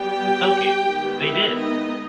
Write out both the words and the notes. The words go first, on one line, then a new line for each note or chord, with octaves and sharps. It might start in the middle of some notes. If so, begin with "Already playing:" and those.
In some cases, they did!
Already playing: G3 B3 G4 G5
D#3 G#3 B3
E4 E5
D#4 D#5